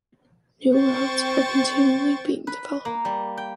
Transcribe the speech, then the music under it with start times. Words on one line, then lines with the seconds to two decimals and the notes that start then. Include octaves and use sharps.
New routes are continually being developed.
0.76 C4 C5 G5 C#6 A6
2.47 B4
2.85 A#3
3.05 G3
3.37 G5